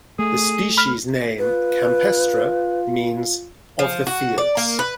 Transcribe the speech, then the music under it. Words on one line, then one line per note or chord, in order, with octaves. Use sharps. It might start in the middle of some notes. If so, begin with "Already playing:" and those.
The species name "campestre" means "of the fields".
A3 G#4
B5 F6
F4 B4
F3
F#4
D5
A#3
B4